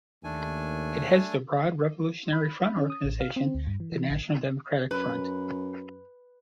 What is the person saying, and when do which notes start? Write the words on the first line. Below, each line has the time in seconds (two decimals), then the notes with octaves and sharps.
It heads the broad revolutionary front organization, the National Democratic Front.
0.24 D#2 A3 D4 G#5
2.33 B5
2.66 B5
2.77 C#4
2.90 D#6
3.04 A1
3.20 F5
3.36 C4
3.55 D2
3.67 G2
3.80 E3
3.92 E3
4.10 A1
4.91 F#2 B4